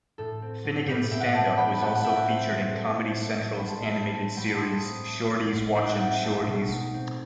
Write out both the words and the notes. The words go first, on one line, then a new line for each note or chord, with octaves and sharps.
Finnegan's stand up was also featured in Comedy Central's animated series Shorties Watchin' Shorties.
A2 A4
C4
F#3
A2 G4 B4
A2 E5 G5
F#5
G5
C4 F#5 A5
F#3 G5 B5
B5
A2 F#5 A5
F#5
A2 E5 G5
C4 C5 E5
F#3
A2
C4
A3
F#3
B5
A2 A5 C6
B5
C4 A5 C6
A3
F#3 G5 B5
A5 C6
A2
B5 D#6
C4
A3
F#3
A2
D#4 G5
F#5
C4 E5 G5
A3
B2
D#4
C4